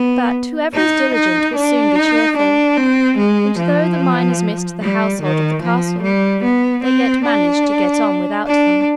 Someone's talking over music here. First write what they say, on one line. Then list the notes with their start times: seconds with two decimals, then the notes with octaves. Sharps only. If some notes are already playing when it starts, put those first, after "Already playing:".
But whoever is diligent will soon be cheerful, and though the miners missed the household of the castle, they yet managed to get on without them.
Already playing: B3
0.74 D#4
1.14 D#4
1.55 D4
1.95 D#4
2.37 D4
2.77 C4
3.18 G#3
3.59 F3
4.81 G3
5.22 D#3
5.62 F3
6.03 G3
6.44 B3
6.84 C4
7.25 D4
8.47 D4